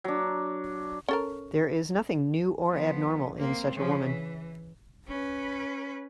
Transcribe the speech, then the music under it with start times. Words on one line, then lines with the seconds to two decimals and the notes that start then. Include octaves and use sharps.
There is nothing new or abnormal in such a woman.
0.04 F#3 D4
1.09 C#4 A4 A#4
2.69 F3 B3
3.38 A#3 C4
3.75 C#3 F3
4.04 E3
5.08 C#4 B4